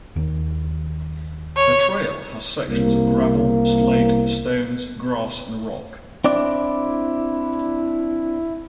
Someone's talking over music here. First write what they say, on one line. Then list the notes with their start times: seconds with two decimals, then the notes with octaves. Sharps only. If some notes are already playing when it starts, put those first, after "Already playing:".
The trail has sections of gravel, slate stones, grass and rock.
0.16 D#2
1.57 C#5
2.68 C2 A#3
6.24 C4 D4 E4 D5